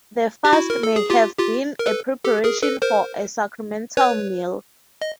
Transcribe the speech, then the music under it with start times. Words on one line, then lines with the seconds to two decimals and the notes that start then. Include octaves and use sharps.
The fast may have been a preparation for a sacramental meal.
0.45 G4
0.53 E4 F#4
0.70 A#4
0.83 A4
0.96 G#4
1.10 F4 G4
1.38 F4 G4
1.79 A#4
1.86 A4 B4
2.25 G4 A4
2.44 G#4 A#4
2.62 A4 B4
2.82 A#4 C5
3.97 B4 C#5
5.02 D#5